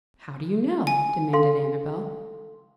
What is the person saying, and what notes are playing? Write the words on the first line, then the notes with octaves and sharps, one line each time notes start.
"How do you know?" demanded Annabel.
G#5
A4 F5 C6